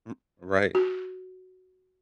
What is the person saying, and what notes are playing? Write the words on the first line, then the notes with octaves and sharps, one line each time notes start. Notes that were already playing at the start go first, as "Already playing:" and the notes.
M Right.
F#4